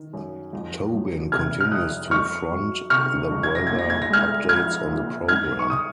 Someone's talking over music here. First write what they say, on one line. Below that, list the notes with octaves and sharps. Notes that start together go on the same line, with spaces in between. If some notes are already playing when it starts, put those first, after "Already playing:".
Tobin continues to front the weather updates on the programme.
Already playing: D#3
F#2
F2
F#3
C3 F6 G#6
F6
F2 D#6 F#6
F2 C#6 F6
F#3
C3 C#6 F6
F2
G#6
A#6
A#2 G#6
A#6
G#6
A#6
G#3 F6 G#6
F3 F6 G#6
A#2
G#2 F6 G#6
C#6
D#6